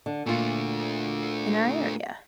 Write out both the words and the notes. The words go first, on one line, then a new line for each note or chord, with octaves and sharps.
in our area?
D3
A#2 A3 D4 F4